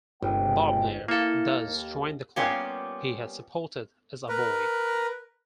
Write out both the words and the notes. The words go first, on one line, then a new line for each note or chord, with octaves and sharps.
Bodmer thus joined the club he had supported as a boy.
G1 C3 G#3 G5
A#3 E4 A4 F5
D#2
G3 A#3 B3 C#4 F4 G4
A#4 B4